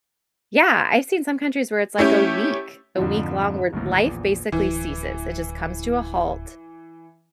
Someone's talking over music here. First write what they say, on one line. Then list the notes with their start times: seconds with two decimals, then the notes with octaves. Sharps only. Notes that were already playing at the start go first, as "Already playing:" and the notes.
yeah, I seen some countries where it's like a week, a week long where life basically ceases. It just comes to a halt,
1.98 A3 C#4 E4 G4
2.96 F2 G#2 D3 F3
3.73 G1 D#2 A2
4.03 A#1 E2
4.52 D1 E3